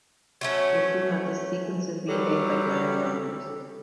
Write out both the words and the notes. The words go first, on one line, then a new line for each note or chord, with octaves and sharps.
Assume that the sequences behave like random numbers.
F#3 A3 C#4
E3 F#3 G3 A4